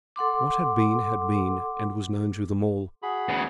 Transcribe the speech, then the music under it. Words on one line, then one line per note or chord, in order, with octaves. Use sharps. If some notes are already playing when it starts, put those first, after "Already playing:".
What had been had been, and was known to them all.
A4 F#5 C6 D6
F#4 G#4 B5
E2 C#3